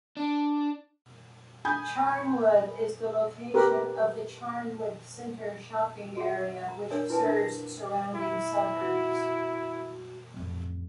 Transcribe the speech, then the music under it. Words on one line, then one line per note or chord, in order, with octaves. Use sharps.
Charnwood is the location of the Charnwood centre shopping area which serves surrounding suburbs.
D4
G#5 B5 D#6 G6 G#6
G4 A#4 B4
F#4 G#4 E5 F#5
A#5
D4 A#4 C#5 D#5 G#5
E4 B4 G#5 A5
D4 A#4 A#5
E4
F#4
A1 F2